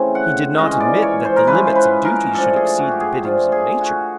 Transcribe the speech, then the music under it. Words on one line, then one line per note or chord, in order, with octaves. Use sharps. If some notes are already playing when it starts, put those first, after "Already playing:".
He did not admit that the limits of duties should exceed the biddings of Nature.
Already playing: C#3 E3 A3 C4
F#5
E3 G#3 C#4 F4 D#5
D5
C#5
C5
A#4
E3 G#3 C#4 F4 B4
C5
B4
A#4
F3 A3 D4 F4 A4
G#4
F#4
G4
G#4
F3 A3 D4 F4
G#4
F#4